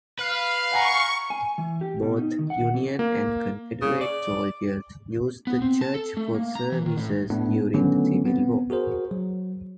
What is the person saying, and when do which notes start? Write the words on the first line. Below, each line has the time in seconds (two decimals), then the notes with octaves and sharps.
Both Union and Confederate soldiers used the church for services during the Civil War.
0.19 B4 F5
0.72 F#5 G#5 A#5 C#6
1.30 G#5
1.58 E3
1.81 G4
2.03 B2
2.18 D#4
2.39 D#3
2.50 F#5
2.74 F2
2.99 A#3
3.81 C#3
4.01 D5
5.47 B3
5.62 C4
5.81 A5
5.94 A4
6.17 A3
6.34 A#3
6.55 A#5
6.72 E3
6.86 D#3
6.97 A2
7.30 A2 A3 B3 D4
7.74 D3 D#3 F#3 A3 B3 C#4
8.26 B3 C4
8.70 F#4 G#4 A#4 C5
9.11 F#3